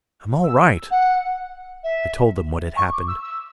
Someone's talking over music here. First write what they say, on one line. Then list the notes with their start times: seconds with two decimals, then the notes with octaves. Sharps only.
"I'm all right." I told them what had happened.
0.44 E6
0.90 F#5
1.83 E5
2.76 C#6
2.92 D6
3.08 E6
3.23 E6